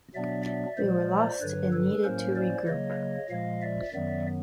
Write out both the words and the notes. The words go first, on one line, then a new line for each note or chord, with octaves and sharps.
We were lost and needed to regroup.
B2 F#3 B3 D4 D5 E5
D5 E5
A#2 F3 G#3 C5 D5
G2 D3 F#3 B4 C#5
A4 B4
A2 F#3 A#3 C#4 A#4 C5
C5 D5
C#3 F#3 A#3 C#5 D#5
A#2 F3 G#3 D#5 F5
D5 E5
F#2 D#3 F#3 B3 D5 E5